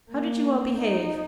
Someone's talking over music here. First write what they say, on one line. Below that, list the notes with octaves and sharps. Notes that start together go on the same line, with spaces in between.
How did you all behave?
A#3
D#4